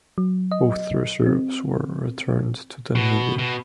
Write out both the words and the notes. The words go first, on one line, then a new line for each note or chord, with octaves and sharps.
Both reserves were returned to the Navy.
F#3
D#5
C4
B2
B2